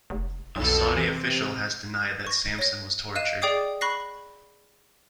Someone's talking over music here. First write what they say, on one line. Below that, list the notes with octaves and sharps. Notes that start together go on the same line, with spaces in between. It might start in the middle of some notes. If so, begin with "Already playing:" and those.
A Saudi official has denied that Sampson was tortured.
F1
B1 F2 B2 A4
C3 E3
C#6 A#6
C#5 A#6
D#5 F5 F#6 D#7 E7
G#4 D5 G5 D6 D#6 C7
B5 C#6 F#6 A#6 C7